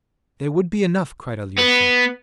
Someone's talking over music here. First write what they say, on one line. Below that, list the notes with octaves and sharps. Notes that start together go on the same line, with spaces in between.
"There would be enough!" cried Alyosha.
B3